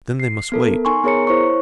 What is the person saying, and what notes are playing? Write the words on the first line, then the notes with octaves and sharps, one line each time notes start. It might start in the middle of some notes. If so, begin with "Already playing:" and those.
Then they must wait.
C7
B3 A4 A#4
D#4 G#5 C6 C#6
B3 G#4 A#4 C#5 A#5 C#7
E4 C5 C#5 C#6